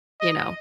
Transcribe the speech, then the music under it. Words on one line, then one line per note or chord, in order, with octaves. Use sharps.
You know?
D#5